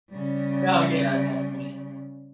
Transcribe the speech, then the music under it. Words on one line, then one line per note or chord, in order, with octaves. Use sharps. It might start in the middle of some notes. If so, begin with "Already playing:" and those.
Oh, yeah. Definitely.
C#3 G3